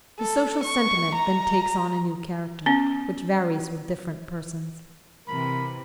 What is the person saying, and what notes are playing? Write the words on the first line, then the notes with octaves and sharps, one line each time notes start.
The social sentiment then takes on a new character, which varies with different persons.
A4
C#6
A#5
B3 C#4
C3 E3 A#4 B5